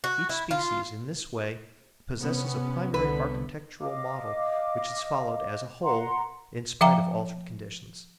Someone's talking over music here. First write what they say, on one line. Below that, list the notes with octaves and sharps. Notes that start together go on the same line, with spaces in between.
Each species, in this way, possesses a primary architectural model which is followed as a whole, in spite of altered conditions.
F#4
E4
F4
C3 B3 C#4
C2 D3 B3 B4
D#5 F5 D6
F#5 A#5 C6
F3 E5 F5 G5 A#5 D6